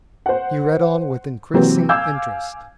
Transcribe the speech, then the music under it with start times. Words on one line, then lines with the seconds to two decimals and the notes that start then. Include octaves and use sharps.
He read on with increasing interest.
0.26 C5 F#5
1.54 C3 E3 F#3 A#3 C4
1.89 F5 G#5 D6 E6 G6 G#6